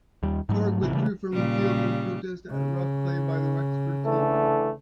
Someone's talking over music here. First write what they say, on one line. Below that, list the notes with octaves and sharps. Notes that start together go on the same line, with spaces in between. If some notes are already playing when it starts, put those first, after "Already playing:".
Cork withdrew from the field in protest at rough play by the Wexford team.
D#2 G3
G#2 F#3 A3
A1 C3 E3
C#3 E3 G3 A3
A#2 C#3 G3
C#3
D3 E3 A3